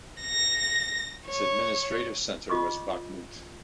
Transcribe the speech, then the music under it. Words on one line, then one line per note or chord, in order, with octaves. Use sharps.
Its administrative centre was Bakhmut.
A#6
C#5
F4 D#5 C#6 D6